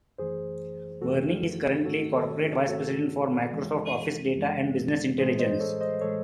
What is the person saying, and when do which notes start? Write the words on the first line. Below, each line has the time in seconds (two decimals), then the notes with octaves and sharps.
Burney is currently corporate vice president for Microsoft Office Data and Business Intelligence.
0.18 F#2 E3 A3 G#4 C5
1.02 F#2 E3 A3 F#4 A4
1.85 G#2 D#3 A3 F#4 A4
2.13 A4 C#5
2.68 G#2 D#3 A3 F#4 A4
3.52 F#2 E3 G#3
4.35 F#2 E3 G#3
5.18 A2 E3 G#3 G#4 C5
5.39 C5 D#5
5.60 A4 C#5
5.81 C5 D#5
6.01 A2 E3 G#3 A4 C#5